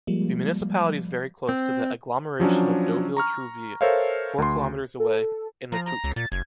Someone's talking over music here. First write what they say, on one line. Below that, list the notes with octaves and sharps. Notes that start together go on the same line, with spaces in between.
The municipality is very close to the agglomeration of Deauville-Trouville, four kilometers away, in the Touques.
F3 G3 G#3 A#3
C4
F3 F#3 C#4 D4
A#5 C#6 F6
A4 A#4 C5 C#5 E5 F5
D2 C6
A4
F3 A#5
A#5
C#2
A#2 A6
F#1 G#6